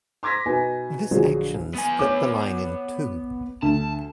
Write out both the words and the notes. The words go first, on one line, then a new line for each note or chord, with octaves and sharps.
This action split the line in two.
C6 D6 G#6 A#6 B6
B2 D#4 B4 G#5
A#1 D3 F#3 G#4
B3 G#5
C#5 D6
D2 A5